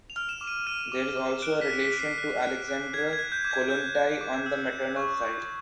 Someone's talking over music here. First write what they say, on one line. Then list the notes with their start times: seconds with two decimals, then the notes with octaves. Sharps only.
There is also a relation to Alexandra Kollontai on the maternal side.
0.10 F7
0.16 F6
0.29 E7
0.41 D6
0.47 D#7
0.67 F6 D#7
0.92 D6
1.17 D6
1.42 F#6 D7
1.61 B6
1.68 F#6
1.80 B6
1.93 F#6
1.99 C7
2.18 F#6
2.44 F#6
2.69 F#6
2.94 F#6 G#6
3.13 G#6
3.19 F#6
3.32 G6
3.45 D6
3.51 G#6
3.70 F#6 G6
3.95 F#6
4.21 D6
4.46 E6
4.71 G6
4.96 C#6
5.22 G6